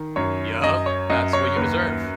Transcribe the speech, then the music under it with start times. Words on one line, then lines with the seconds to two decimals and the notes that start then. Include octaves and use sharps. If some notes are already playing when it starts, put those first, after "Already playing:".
Yup. That's what you deserve.
Already playing: D#3
0.16 F#2 C#5
0.63 F#2 D#5
0.86 C#5
1.10 F#2 D#5
1.33 C#5
1.56 D#2 B4